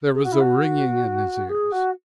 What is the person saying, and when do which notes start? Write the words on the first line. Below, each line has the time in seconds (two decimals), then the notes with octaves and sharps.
There was a ringing in his ears.
0.14 G#4
0.23 F#4
0.32 E4
0.40 F#4
1.49 G#4
1.71 F#4